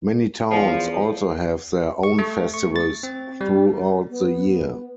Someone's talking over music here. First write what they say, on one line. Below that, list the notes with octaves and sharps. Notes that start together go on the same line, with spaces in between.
Many towns also have their own festivals throughout the year.
E2 F3
C#6
A3
C#6
A6
C4
G3
B3